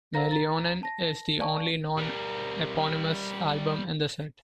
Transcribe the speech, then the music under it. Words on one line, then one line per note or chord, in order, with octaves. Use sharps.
"Meillionen" is the only non-eponymous album in the set.
A#4 C5 F5 A#5 A#6
A#5 A6
A5 A#6
D5 F5 G#5 A5 C#6
G3 A#4